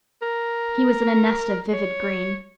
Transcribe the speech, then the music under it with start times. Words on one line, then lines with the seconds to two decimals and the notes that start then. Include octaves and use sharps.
He was in a nest of vivid green.
0.22 A#4
1.73 C#5